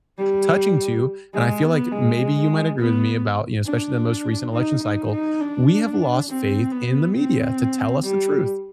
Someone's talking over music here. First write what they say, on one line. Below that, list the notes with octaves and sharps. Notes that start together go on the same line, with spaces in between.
touching to and I feel like maybe you might agree with me about, you know, especially the most recent election cycle, we have lost faith in the media to tell us the truth.
G3
G#3
B3
G#3
B3
D4
D#4
D#4
D#4
D4
C4
B3
C4
G3